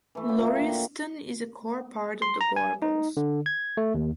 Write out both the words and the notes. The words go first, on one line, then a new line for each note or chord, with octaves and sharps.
Laurieston is a core part of the Gorbals.
E3 A3
B3 C#4 F4 D6
A#2
G5
D3
C6
A#5
G#5
D#4
D3
G#6
A3
D#2